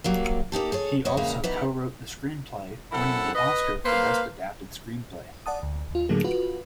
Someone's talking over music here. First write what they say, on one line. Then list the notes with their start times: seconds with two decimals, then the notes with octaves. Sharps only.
He also co-wrote the screenplay, winning the Oscar for Best Adapted Screenplay.
0.04 F#3 G3 A#3
0.52 A#3 D#4 G4 A4
0.72 G#4 A4 C#5
1.05 E2 C#5 D#5
1.17 E2 C#3 G#3 A#3
1.44 E3 B3 D#4
2.92 F#2 C4 E4 A4 F#5
3.35 B4 D#5
3.85 A#3 B4 C5 F5
5.46 D5 F#5 A5 D#6
5.63 D2
5.91 D#2 F4
6.09 A2 D3 F#3 A3 A#3 G#4
6.24 F4 F#4 B4